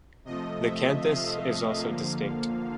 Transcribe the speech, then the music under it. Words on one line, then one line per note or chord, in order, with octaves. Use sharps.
The canthus is also distinct.
C3 F3 A3 D#5
E5
F5
D3 F3 A#3